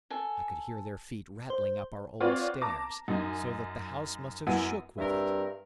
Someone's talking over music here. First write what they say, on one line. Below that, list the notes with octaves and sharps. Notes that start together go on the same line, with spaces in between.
I could hear their feet rattling up our old stairs, so that the house must have shook with it.
A4 G#5
C5
C4 F4 F#4 B4 C#5 D5
A5 A#5 D6 A#6
F#2 D#4 G#5
F#2 B3 E4 G#5 D#7
G2 C4 A#4 E5